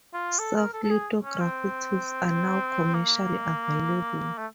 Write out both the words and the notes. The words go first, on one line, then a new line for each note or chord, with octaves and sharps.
Soft lithography tools are now commercially available.
F4
A4
A#4
A4
A4
G#4
C#4
C4
A#3
A3